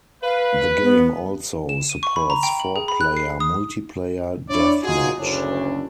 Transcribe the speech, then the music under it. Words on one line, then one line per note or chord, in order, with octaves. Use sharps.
The game also supports four-player multiplayer deathmatch.
B4 F5
B3
E7
D#7
C#6
B5
A#5
G5
F#7
G#4
B5
F#6
C7
D#6
D4 E4 C#5 D5
D#4 F4 F#4 G#4
F#1 D2 C#4 D4